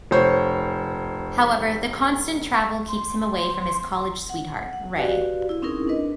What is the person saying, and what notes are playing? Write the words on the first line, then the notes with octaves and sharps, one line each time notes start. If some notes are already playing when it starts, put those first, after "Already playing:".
However, the constant travel keeps him away from his college sweetheart, Rae.
F1 C5 C#5
C6
F#5
F#5
F#4 G4 B4 D5 F5
E4
C4 C#4 D#4 E4 G#4 A#4
D4 A#4 B4 D#5